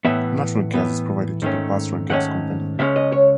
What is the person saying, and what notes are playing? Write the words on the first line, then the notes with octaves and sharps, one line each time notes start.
Natural gas is provided to the Basrah Gas Company.
A2 E3 B3 E5
A2 E3 B3
G#2 D#3 A3 C#4
G#2 D#3 A3 C#4 F#5
C#2 C#3 G#3 C#4 E5
D#5
C#5